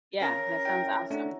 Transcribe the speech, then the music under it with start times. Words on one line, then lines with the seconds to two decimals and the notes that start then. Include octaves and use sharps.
Yeah, that sounds awesome.
0.20 C#3 A#4
0.65 E4 G5
1.10 A3 D4 F#4 A4 A#4